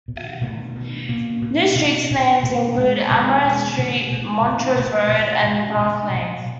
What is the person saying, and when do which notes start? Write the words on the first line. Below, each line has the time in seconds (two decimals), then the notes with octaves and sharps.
New street names include Amaranth Street, Montrose Road and Park Lane.
0.08 B2
0.41 B2 A3
0.75 B2
1.09 B2 A#3
1.42 B2
1.76 B2
2.10 B2
2.43 B2 A3
2.77 B2 G#3
3.11 B2 G#3
3.44 B2 G#3
3.79 B2 A3
4.12 B2
4.45 B2
4.80 B2
5.13 B2
5.47 B2
5.80 B2
6.15 B2